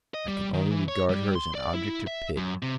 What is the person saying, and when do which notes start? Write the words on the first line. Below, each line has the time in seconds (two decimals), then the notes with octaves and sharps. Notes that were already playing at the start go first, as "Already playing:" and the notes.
I can only regard her as an object of pity!
0.14 D#5
0.28 G3
0.53 D#3
0.71 E3
0.88 C#5
1.10 G3
1.35 C6
1.55 D5
1.74 E4
2.07 E5
2.37 F#2
2.63 C3